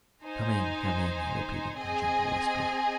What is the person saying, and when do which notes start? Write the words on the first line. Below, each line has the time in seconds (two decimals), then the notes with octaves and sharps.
"Come in, come in!" he repeated in a gentle whisper.
0.24 D#4 C5 G#5
1.77 C4 G#4 D#5 G#5